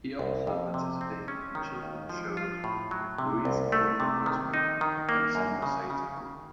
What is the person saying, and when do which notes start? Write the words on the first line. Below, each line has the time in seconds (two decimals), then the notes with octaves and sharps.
He also participated in children's shows with "Luis Antonio Cosme" and Sandra Zaiter.
0.19 C2
0.47 F2
0.74 C3
1.01 C4
1.28 C#4
1.55 D#3
1.82 D#2
2.09 F3
2.37 F4
2.64 A2
2.91 F#3
3.18 C3
3.45 C2
3.72 A3
4.00 C3
4.26 D#3
4.54 D#4
4.81 D#3
5.09 A#3
5.35 F#2
5.62 C#3
5.90 C#3
6.17 D#3